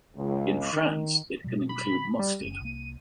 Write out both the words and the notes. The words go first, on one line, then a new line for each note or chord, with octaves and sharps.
In France it can include mustard.
C#2
D#3
B2 F#3 G3
B5
G3
F#1 C#4 D#7
C2 A#3